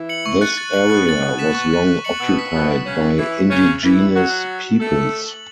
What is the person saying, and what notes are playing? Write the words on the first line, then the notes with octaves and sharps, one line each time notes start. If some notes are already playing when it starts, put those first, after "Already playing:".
This area was long occupied by indigenous peoples.
Already playing: E3 E4
C#7 F#7
C#6
F#6 A6 C#7
A6
F#7
B2 B3 F#6
A6 F#7
B2 B3 F#6
B6 E7
C#6
F#6 A6
F#6
C#7 F#7
B2 B3 E6
B6 F#7
B2 B3 E6
C#7
E7
C#3 C#4 C#6
A6 F#7
E3 E4 A6
C#7 E7
C#3 C#4 F#6
A6 F#7
E3 E4 A6
C#7 F#7
F#3 F#4 A6
C#7 F#7
A6
E7
A3 A4 A6
E7
A6
F#7